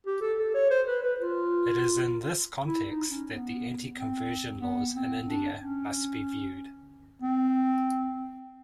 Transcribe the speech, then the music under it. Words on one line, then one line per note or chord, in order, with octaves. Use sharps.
It is in this context that the anti-conversion laws in India must be viewed.
G4
A4
A4
C#5
C5
B4
B4
F4
E4
D#4
C#4
B3
C4
B3
C4
D4
C#4
C4